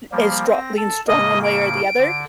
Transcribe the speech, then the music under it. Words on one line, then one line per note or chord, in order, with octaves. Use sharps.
i is stro leans strong one way or the other,
F3 G3 A#3
C4 A#6
A4 A5
A2 C#3 A#3 D#5
D7
D3